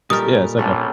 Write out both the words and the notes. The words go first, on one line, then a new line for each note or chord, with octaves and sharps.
s yeah, it's like a
A#2 G3 A3 D#4 A#4 D#6 F6
A#1 B3 C#4 D5